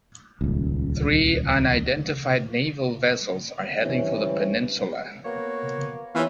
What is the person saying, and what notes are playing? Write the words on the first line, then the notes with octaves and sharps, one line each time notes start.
Three unidentified naval vessels are heading for the peninsula.
D#1 C#2
G2 E3 C4 C#4
A#3 B3 F#4 C#5
D#2 E3 B3 F4 C#5 F5